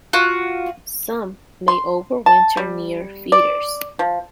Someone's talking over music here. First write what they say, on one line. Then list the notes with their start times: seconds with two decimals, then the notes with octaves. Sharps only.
Some may over-winter near feeders.
0.13 F4 F#4 F#6
1.68 C6
2.26 A5
2.57 G3
3.32 D5
3.99 F3